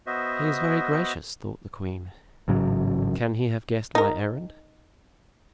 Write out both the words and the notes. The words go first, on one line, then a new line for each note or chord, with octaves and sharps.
"He is very gracious," thought the queen; "can he have guessed my errand?"
B3 F#4 C5 D#5 E5
A1 G#2 C#3 F#3
D#4 A#4